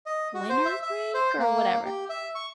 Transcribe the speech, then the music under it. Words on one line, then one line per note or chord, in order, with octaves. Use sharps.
winter break or whatever.
D#5
F#4
C5
E5
E5
C5
A#3
G4
E5
C#6